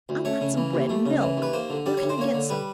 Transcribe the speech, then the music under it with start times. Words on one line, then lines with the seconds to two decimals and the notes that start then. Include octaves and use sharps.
"I want some bread and milk. Where can I get some?"
0.09 D2
0.25 A3 C#5
0.41 C#3
0.57 E3
0.74 D#2
0.89 A3
1.06 C#3
1.21 E3
1.37 D#2 B4
1.53 A#3 C5
1.70 D3
1.86 G3 D5
1.97 D2 C#5
2.09 C5
2.18 A#3 C#5
2.34 D3
2.50 G3 B4